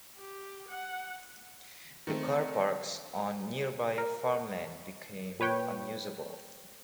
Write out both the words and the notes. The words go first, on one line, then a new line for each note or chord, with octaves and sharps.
The carparks on nearby farmland became unusable.
G4
F#5
D#3 A3 C4
A#4
A#2 B4 C#5 G5